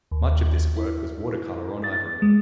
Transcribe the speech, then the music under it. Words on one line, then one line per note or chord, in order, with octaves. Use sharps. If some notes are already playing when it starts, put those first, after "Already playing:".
Much of this work was watercolor on ivory.
D#2
E4
A6
G#3